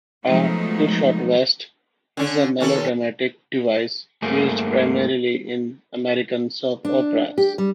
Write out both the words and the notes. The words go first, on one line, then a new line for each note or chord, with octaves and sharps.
A "two shot west" is a melodramatic device used primarily in American soap operas.
F3 F#3 G#3 A3 B3 D#4
D3 C#4
D#2 C#4 A4
G2 A3 A#3 G#4
D4
G4
G3